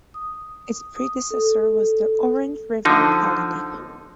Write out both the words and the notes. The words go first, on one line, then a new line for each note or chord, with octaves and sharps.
Its predecessor was the Orange River Colony.
D#6
D#6
A4
D3 F3 D#4